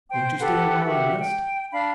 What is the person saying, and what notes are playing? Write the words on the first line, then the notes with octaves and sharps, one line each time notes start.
"Won't you stay awhile and rest?"
C5 G5
G4 A4 B4 F#5
F#4 G4 E5
G5
D4 F5 B5